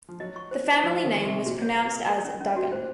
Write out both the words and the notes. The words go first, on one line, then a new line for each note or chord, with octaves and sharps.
The family name was pronounced as "Duggan".
F3
F#3 D#5
C#6
C5
C5
F3 C5
C5
D#3
C#6
C3
C#6
A#2 F#4
C#5
A#4
A#4
A#4
C#4
C#4
F#4
A#2 C5